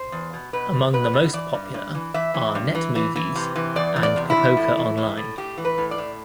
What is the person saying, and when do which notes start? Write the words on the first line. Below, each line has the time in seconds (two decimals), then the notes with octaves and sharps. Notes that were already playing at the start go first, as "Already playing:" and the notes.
Among the most popular are NetMovies and Pipoca Online.
Already playing: C5
0.12 E2
0.33 B2
0.53 B2 B4
0.73 E2
0.93 B2 B4
1.13 B2
1.33 E3 D5
1.54 G2
1.74 G2
1.95 E3
2.14 E3 E5
2.34 E3
2.55 G2
2.75 E3
2.95 E3
3.16 E3
3.36 C3
3.56 E3
3.76 E2 D5
3.96 E2
4.03 D5
4.16 C3
4.30 E4
4.37 E2
4.57 A2
4.77 E3
4.97 A2
5.17 A2
5.38 A2 G4
5.58 E3
5.65 B4
5.78 A2
5.91 D5
5.98 A2